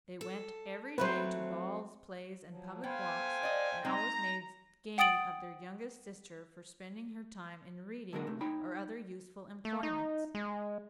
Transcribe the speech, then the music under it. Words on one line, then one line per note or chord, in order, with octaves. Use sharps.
They went every day to balls, plays, and public walks, and always made game of their youngest sister for spending her time in reading, or other useful employments.
A4
F#3 A3 C4 B4 C5
F3 F#3
A3 B3 C5 F5 G5 G#5
D5 D#5
G#3 C4 D#4 A#5
F#5 G5 D#6 A6 D7 F#7
D3 F#3 G#3 A#3 D4 A#4
C3 A3
D#4 C#5 G5 B5
A3
D#4
G#3